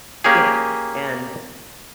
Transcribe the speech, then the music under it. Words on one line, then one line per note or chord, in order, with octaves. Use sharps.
Yeah, and,
A#3 C#4 G4 G#4